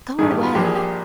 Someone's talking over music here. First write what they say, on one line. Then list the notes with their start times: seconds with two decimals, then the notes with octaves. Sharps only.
Go away!
0.18 A1 G2 D#3 G#4
0.31 G4
0.43 F4
0.55 A#1 A#2 F3 A#3 G4
0.65 G#4
0.75 G4